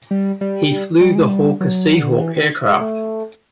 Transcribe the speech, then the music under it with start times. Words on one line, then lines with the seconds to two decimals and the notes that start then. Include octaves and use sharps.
He flew the Hawker Sea Hawk aircraft.
0.11 G3
0.41 G3
1.01 G3
1.15 G#3
1.29 G3
1.61 F#3
1.99 D3
2.10 D#3
2.21 E3
2.36 D#3
2.66 G#3
2.81 A3